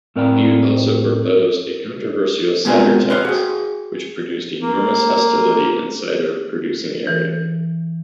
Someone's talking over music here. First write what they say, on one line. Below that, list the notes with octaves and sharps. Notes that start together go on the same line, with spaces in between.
Bute also proposed a controversial Cider tax which produced enormous hostility in cider-producing areas.
A2 C4 A#4 D5 F5 G5
B2 G#3 C4 F4 A#4 G#5
B4 C5 D5 F5
F#4 G#4
A#3
E3